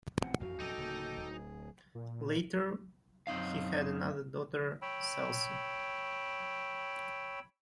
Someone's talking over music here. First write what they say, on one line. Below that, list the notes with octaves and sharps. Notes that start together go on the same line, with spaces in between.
Later he had another daughter, Selcen.
A1 B2 C4 F#5
A1 F2 A3 F#4 F5
A#1 F#2 C3 D#4 A4 D#5 G5 D6
D1 C#3 A#3
D1
G#4
A#2
F#2 C4 D#4 F5
C#5 G5 B5 E6